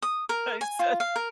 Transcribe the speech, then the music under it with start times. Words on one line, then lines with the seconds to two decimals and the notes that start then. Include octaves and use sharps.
I said,
0.02 D#6
0.29 A#4
0.61 G#5
0.79 F4
1.00 F5
1.16 A#4